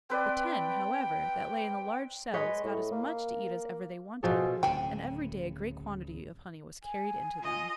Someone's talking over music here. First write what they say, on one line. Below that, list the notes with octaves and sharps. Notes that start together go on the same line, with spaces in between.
The ten, however, that lay in the large cells got as much to eat as ever they wanted, and every day a great quantity of honey was carried in to them.
C4 B4 D5 G5
G#3 B4 C#5 D#5
A2
A#3
B2 F3 G#4 A4
D1 C#3 G5 G#5
G#5
F4 D#5